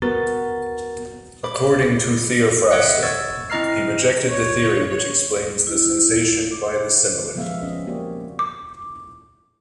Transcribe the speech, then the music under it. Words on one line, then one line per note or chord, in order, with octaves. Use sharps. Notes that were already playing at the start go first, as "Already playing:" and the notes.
According to Théophraste, he rejected the theory which explains the sensation by the similar.
B3 F#4 A#4 A6
B5 D6
C#5 D#5 E5 F#5 F#6 C#7
C#6 E6 G#6 A6
C4 E4 D#5 A#5 F6 C7
C#5
E4
D6
C#3 F3 G#3 B3 E5 F5
C4 C#4 D#5
A#3 F#4 G4 C#5 D5
D6